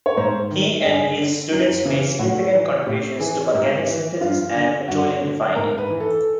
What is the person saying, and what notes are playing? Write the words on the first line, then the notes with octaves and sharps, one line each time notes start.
He and his students made significant contributions to organic synthesis and petroleum refining.
C#5
G#2 C5
D#3
G2 G#4
D3
F#2
C#3 E3
A2 F#4
E3
A2 G4
E3 G#4
G#2 G4
E3
G2 F4
D3
G2 F#4
D3
G#2 A#4
B4
E3
A4